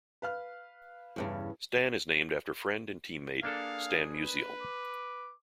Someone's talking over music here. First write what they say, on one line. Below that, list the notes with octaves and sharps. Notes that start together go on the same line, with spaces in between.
Stan is named after friend and teammate Stan Musial.
B4 F5 F6
E2 G2 C#3
A#3 D4 G#4 A4 F5
B4
D6